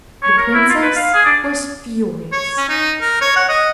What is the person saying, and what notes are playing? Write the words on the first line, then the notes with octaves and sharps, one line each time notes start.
The princess was furious.
C#5
A#4
E4
F4
B4
F5
G#4
D4
C#5
C#4
D#4
A#4
C#5
F#5
D#5